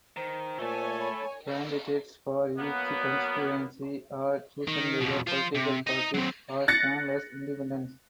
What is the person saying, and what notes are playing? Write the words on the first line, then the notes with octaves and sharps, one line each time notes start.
Candidates for each constituency are chosen by the political parties or stand as independents.
D#3 C5
A#2 A3 A4 C#5 G#5
B5
F#3 A#3 B3
D#3
F2 B2
F4 C5
C3
D#5 A#5
F#3 C4
F#6 A6 A#6 C#7